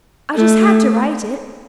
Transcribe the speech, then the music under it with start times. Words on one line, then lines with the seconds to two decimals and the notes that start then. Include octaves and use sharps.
I just had to write it.
0.36 A3